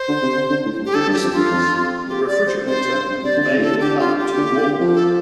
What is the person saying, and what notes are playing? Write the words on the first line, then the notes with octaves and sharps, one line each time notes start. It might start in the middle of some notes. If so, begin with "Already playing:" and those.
This means the refrigerator may become too warm.
Already playing: C5
D3
C3
D3
D3
A2
G2
G4
D3 A4
G2
G4
F2
G2 F4
F2
G4
D5
C5
C3 C5
C3
G2
G2
C3 D5
D3
D5
C3
A2
C3 A4
D3 G4
F4
G4
D3
C3
D3
F3
A4